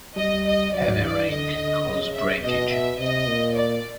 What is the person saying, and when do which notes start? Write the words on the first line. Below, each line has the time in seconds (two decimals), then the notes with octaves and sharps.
Heavy rain can cause breakage.
0.16 G3 D#5
0.45 D#5
0.73 F#3 D5
1.01 E3 D5
1.29 D3 D#5
1.58 D3
1.86 C#3
2.14 E5
2.42 B2 D#5
2.71 E5
2.99 C3 D#5
3.27 A#2
3.55 D5